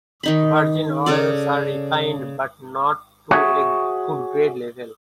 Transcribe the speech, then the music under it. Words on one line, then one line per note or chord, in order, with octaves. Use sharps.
Virgin oils are refined, but not to a food-grade level.
D#3 D#4 B5
C#3 A4 D5
F#4 G#4 C#5 E5 F#5